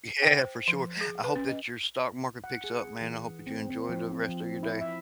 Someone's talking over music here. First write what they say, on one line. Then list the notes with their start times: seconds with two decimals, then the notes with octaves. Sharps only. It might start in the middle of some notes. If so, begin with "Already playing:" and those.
Yeah, for sure, I hope that your stock market picks up, man, I hope that you enjoy the rest of your day.
0.22 G5
0.39 C5
0.68 F3
1.01 G#4
1.24 B4
1.36 C#4
1.49 D#5
2.44 F#5
2.64 G#4
3.01 E3
3.47 C4
3.70 C4
3.89 F3
4.12 C4
4.29 F3
4.63 E4
4.81 E5